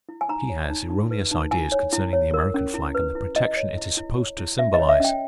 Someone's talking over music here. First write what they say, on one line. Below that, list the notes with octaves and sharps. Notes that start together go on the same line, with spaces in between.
But she has erroneous ideas concerning the American flag and the protection it is supposed to symbolize.
E4
G#5
D#4 A#5
C#5
D#4
D#4
B4
D#4
E4 G#5
C#5
E4
C#5
A#4
C#4
E4
B4
E4
E4 D#5
C#5
E4
E4
C#5
E4
C#4 E5
D#5
C#5
E5
C#4 G5